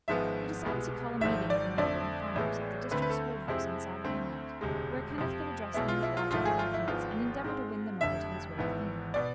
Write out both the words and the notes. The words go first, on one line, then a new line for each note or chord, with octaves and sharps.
He decided to call a meeting of the neighboring farmers at the district school-house on Saturday night, where Kenneth could address them with logical arguments and endeavor to win them over to his way of thinking.
G#1 G#2 F3 G#3 B3 E5
C2 B2 G#3 B3
G#1 G#2 F3 E5
D5
F2 D3 A3 C4 D5
A1 A2 E3 G#3 B3
D2 D3 A3 C4 B4
B4
A4
F2 C3 G#3 C4 E4
D2 D3 A3 C4
E1 D2 C3 G#3
F2 C3 F3
B1 B2 G#3 B3 E4
F4
E4
F4
G#1 G#2 F3 A3 F4
G#4
F4
E4
G#1 G#2 F3 G#3 B3 F4
G#2 G#3 C4
F1 F2 D3 E5
G#1 G#2 E3 B3
B2 B3 D5